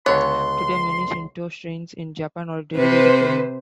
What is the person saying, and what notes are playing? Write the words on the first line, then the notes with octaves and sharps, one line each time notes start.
Today many Shinto shrines in Japan are dedicated to him.
C#2 D3 B3 C#5 C6
C3 B4 C5